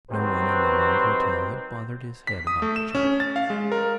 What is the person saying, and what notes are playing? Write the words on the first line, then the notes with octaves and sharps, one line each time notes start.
No one in the large hotel had bothered his head about the child.
D#3 F#3 C4 G4 B4
B6
D#6
A3
E7
C#4
A6
F5
G#3
A#4